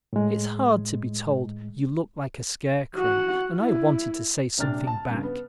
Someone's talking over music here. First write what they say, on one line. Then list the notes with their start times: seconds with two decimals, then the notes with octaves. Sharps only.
It's hard to be told you look like a scarecrow and I wanted to say something back.
0.13 A2 G#3
2.95 F#4 F#5
3.58 E4
4.58 D#1 C3 D4 F6 A6
4.87 A5
5.10 G2 C#3
5.23 B3